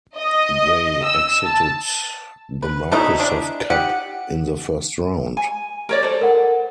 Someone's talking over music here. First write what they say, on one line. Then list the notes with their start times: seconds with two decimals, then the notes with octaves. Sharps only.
They exited the Microsoft Cup in the first round.
0.15 D#5
1.06 E6
1.44 A5
2.62 B4
2.92 B2 A3 D#4 E4
3.18 G#3 D4 E4
3.70 D#4 G4 F#5
5.37 G#5
5.89 A#4 C#5 D5
6.03 A4 C5
6.21 A#4 F#5